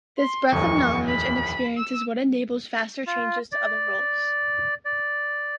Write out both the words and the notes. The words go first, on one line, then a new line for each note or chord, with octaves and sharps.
This breadth of knowledge and experience is what enables faster changes to other roles.
C6
D#1 A1 F2 C#6
B5
E6
F4
D5
D5